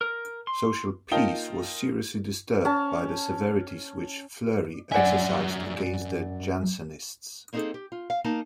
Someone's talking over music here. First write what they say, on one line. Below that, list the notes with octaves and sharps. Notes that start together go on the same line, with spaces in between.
Social peace was seriously disturbed by the severities which Fleury exercised against the Jansenists.
A#4
C6
A#3 D#4 F4 G5 A5 G7
C#4 A5
F#2 D5 E5 F#5 G#5
A#3 C4 D#4 F#4 G#4 A4
G4
F4
F5
A#3 D#4 A5